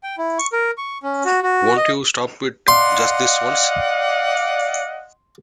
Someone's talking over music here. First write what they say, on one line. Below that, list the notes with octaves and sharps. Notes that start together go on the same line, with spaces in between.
Won't you stop it just this once?
G5
E4
C#6
A#4
C#6
C#4
F#4
F#4
D#5
D5 D#5 F5 F#5 C6